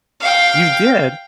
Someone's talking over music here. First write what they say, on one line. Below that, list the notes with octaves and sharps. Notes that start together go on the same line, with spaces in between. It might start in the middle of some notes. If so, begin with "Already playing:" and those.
You did?
F5 G5